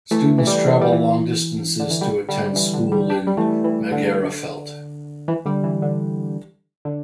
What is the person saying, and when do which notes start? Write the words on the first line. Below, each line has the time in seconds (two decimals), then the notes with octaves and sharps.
Students travel long distances to attend school in Magherafelt.
0.11 E3 A3
0.38 E3
0.47 G3
0.54 E3
0.65 E3
0.81 G3
0.92 E3
1.80 D3
1.90 E3
2.01 D3 G3
2.28 D3 G3
2.46 G3
2.56 E3
2.74 D3
2.92 D3 G3
3.10 D4 G4
3.27 G3
3.37 E3 A3
3.64 E3
3.92 D3
5.28 E3
5.45 D3 G3
5.64 E3
5.82 D3
6.85 D3